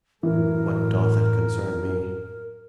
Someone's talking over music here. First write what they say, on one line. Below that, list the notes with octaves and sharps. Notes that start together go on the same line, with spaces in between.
What doth it concern me?
F#2 A2 E3 A#4